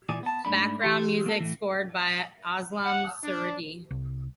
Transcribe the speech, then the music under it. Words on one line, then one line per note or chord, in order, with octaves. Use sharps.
Background music scored by Aslam Surti.
A#2 E3 G#4 D5
B3 A5
G#2 A3 D4 B5
E3 G4 C6
A#3 A4
A2 E3
F#5
D4
C2